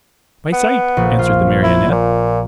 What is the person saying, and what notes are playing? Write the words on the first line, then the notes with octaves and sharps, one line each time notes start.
"By sight!" answered the Marionette.
B3
A#1
F4
E4
A#2